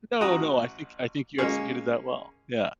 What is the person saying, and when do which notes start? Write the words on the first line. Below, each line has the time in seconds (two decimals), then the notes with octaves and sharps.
No, no, I think, I think you executed that well, yeah.
0.20 A1 F#4 A#5 D#6
1.38 G#3 A#3 C#4